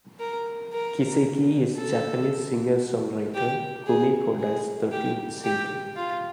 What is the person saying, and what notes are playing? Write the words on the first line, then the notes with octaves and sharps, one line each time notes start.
"Kiseki" is Japanese singer-songwriter Kumi Koda's thirteenth single.
A#4
A#4
A4
G4
G#4
G#4
G4
G4
F4